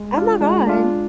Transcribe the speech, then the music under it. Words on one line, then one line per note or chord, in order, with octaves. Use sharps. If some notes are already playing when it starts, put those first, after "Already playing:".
Oh my god.
Already playing: G#3
D4 F4
G#3
D4 F4